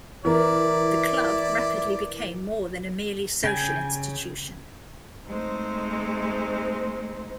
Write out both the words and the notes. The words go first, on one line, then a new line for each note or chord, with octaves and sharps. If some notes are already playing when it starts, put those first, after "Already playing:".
The Club rapidly became more than a merely social institution.
E3 E4 A#4 D5
C#3 G5 G#5
G#3 A3 C4 D#4 C5